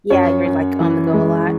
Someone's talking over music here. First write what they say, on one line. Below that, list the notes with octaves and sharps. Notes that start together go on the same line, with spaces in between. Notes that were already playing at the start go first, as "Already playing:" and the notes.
Yeah, you're, like, on-the-go a lot?
F#2 C#5
F#2
E3
G#3